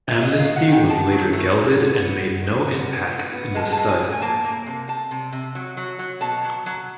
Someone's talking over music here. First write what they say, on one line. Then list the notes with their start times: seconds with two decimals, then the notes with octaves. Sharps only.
Amnesty was later gelded and made no impact in the stud.
0.12 E5
0.22 D#3 D#5
0.39 F5
0.45 F#3
0.56 F#5
0.67 D#3 G5
0.88 D#3 A5
1.12 F#3
1.33 A3
1.55 C3
1.78 B3
1.99 B3
2.22 G3
2.44 D#3
2.66 B3
2.89 B3
3.11 A2
3.33 B3
3.54 G#3 A5
3.72 A2 A5
3.89 G#5
4.00 A2
4.12 G#5
4.22 A#3 A5
4.44 A#3
4.67 C3
4.88 G3 A5
5.11 C3
5.33 C3
5.55 F#3
5.77 F#3
5.99 F#3
6.21 B2 A5
6.44 F#3
6.66 F#3